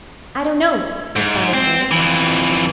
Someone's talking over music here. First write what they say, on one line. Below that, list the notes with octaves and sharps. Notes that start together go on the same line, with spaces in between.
"I don't know," responded Grace.
G#2
C4
F2 E3